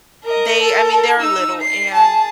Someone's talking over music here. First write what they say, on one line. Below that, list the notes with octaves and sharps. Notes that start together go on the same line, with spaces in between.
they I mean, they're little and
A#4 D#5
A4 A#4
D#4 E6
C7
G#4 A5